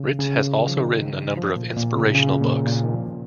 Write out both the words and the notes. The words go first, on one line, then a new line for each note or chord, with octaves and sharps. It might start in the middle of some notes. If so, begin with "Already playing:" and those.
Ritz has also written a number of inspirational books.
Already playing: C#3
C#3
D#3
F3
D#3
F3
A#2
A#2
C#3
C#3
A#2
A#2
D#3
F3